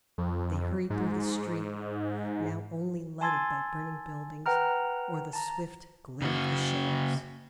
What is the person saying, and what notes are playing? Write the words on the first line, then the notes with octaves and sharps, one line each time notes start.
They hurried through the street, now only lighted by burning buildings, or the swift glare of the shells.
F2
G#2
G#5 A5 C6 E6 G#6 A6
B4 F#5 G5 A#5 F6
A5 A#5
C#3 F#4